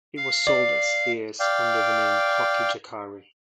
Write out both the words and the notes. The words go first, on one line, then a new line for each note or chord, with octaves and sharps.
It was sold at Sears under the name Hockey Jockari.
F5
D5
D5 F5 G5